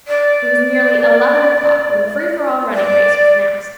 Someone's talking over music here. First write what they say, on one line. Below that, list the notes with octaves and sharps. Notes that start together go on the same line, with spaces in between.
It was nearly eleven o'clock when the free-for-all running race was announced.
D5
D5